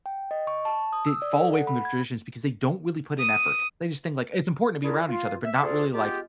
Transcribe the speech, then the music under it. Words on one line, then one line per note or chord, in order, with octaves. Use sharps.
did fall away from their traditions because they don't really put in effort. They just think, like, it's important to be around each other, but not really, like,
G5
D#5
C#6
A5
D#6
E6
D5
A4
F#5
B5
G#6
D#6
D4 E4 F4 G#4 A#4
F4
E5
D2 F4 G#4 A4 D5
G#3 B3 F4 G4